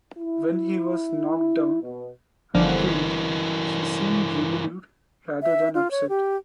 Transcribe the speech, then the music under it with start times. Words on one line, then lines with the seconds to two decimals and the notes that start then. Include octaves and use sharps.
When he was knocked down and killed she seemed relieved rather than upset.
0.18 E4
1.82 B2
2.55 G1 D3 E3 F3 A#3
5.42 E5
5.74 F4
5.91 C#5
6.09 G4